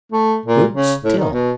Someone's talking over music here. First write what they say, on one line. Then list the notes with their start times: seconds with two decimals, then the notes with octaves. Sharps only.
Good, still.
0.12 A3
0.46 A#2
0.73 C#3
1.04 A2
1.18 D#3
1.33 B2